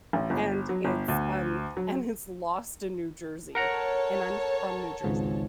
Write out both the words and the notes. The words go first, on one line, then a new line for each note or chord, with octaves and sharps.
and it's, um and it's lost in New Jersey, and I'm from New Jersey.
A1
G1
F#3
G1
D2
F#3
A4 A#4 C#5 F#5 A5 A#5
G#1 C#2 G#2